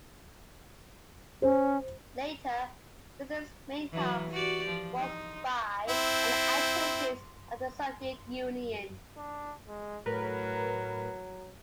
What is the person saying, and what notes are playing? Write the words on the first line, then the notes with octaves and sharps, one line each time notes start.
Later, Wisner's main task was to spy on the activities of the Soviet Union.
C#4 C5
E3 F#3
F#4 G4 D5
F3
D#4
C4 E4
D4
G#3
A2 F#3 A#4 B4